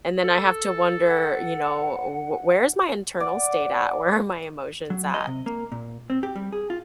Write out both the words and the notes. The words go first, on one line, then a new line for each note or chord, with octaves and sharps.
and then I have to wonder, you know, uh, "Wh where's my internal state at? Where are my emotions at?"
A4
F#5
D5 F#5
F#3
D#5
C3
A#3
A#2
C4
G4
G3
G#4
F4